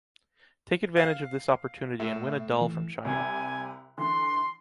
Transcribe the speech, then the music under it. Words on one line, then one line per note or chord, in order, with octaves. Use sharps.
Take advantage of this opportunity and win a doll from China.
F5
A2 E5
E3
C2 C3 G#5
D3 E3 C6